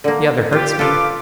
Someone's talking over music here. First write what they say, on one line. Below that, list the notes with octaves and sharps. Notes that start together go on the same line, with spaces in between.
"The other hurts me."
D3 A#3
F4 G4
F4 A4 B4 F5 D6